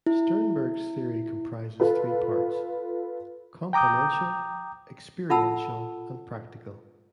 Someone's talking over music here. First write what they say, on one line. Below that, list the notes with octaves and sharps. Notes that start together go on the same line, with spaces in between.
Sternberg's theory comprises three parts: componential, experiential, and practical.
E4
F4 A4 B4
G5 A#5 D6 D#6 G6
F4 A4 F#5 A5 B5 E6